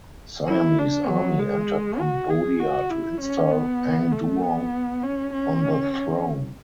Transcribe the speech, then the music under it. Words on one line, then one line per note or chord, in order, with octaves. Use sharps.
Siamese army entered Cambodia to install Ang Duong on the throne.
E4
D4
F#3
G#3
F#4
G#4
F#4
E4
C#4
B3
A3
B3
C#4
C#4